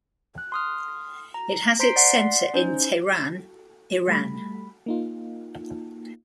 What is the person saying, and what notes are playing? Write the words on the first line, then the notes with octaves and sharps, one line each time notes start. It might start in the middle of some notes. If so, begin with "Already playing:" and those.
It has its centre in Tehran, Iran.
F#6
C6 D#6 F6
A#5
C5 A#5 C6 B6 C7 D7
D5 F#5 C6 B6 C7
C#4 D#4 C5
G3 A3 B5
A#3 D#4 F4